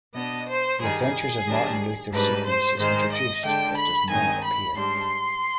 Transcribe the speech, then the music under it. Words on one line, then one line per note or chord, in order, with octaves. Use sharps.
"The Adventures of Martin Luther" sequence is introduced but does not appear.
B2 B3 D4 D#5
C5
G2 D#3 G3 G#4
D#3 G3 D4
G#2 G3 D4 B4
C5
G#2 D#3 G#3 C5
D#5
D3 G#3 D4 G5
B5
G2 D#3 G#3 C4 D#4 G#5
B5
G#2 G3 D4 C6